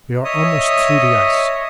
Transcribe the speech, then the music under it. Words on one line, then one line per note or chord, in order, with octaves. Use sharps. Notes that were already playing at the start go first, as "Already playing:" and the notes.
We are almost through the ice.
C#5 D#5 E5 D#6